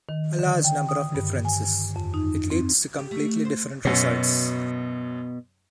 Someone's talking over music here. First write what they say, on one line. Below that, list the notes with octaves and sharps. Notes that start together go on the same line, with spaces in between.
A large number of differences! It leads to completely different results.
D#3
D3
G5
D#6
G2
G#5
F2
D#4
C4
G4
A3
C5
F#2 B2 C#4